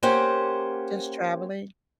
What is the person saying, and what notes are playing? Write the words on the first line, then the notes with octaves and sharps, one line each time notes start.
Just traveling?
A#3 C#4 G4 C5 F#5